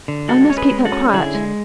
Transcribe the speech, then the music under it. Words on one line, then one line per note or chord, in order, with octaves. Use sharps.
I must keep that quiet.
D3
G#3 F#4 A4
C#4 C#5
G#4 B4
G#3
F#4 A4
C#4
D3 E4 G#4
G#3